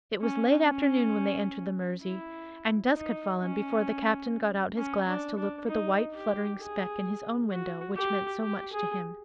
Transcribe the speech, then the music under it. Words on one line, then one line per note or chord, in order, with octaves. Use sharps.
It was late afternoon when they entered the Mersey, and dusk had fallen before the Captain got out his glass to look for the white fluttering speck in his own window which meant so much to him.
C#4
C#4
E4
D#4
C#4
C#4
D4
D4
D#4
G4
G#4
F#4
G4
G4
G#4